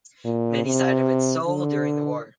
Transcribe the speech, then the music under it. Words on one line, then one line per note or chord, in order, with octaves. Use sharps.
Many sided with Seoul during the war.
A#2
C3
D3